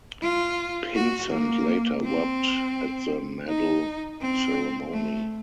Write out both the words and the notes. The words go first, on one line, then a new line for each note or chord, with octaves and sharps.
Pinsent later wept at the medal ceremony.
F4
F#4
A#3
C4
D#4
C4
A3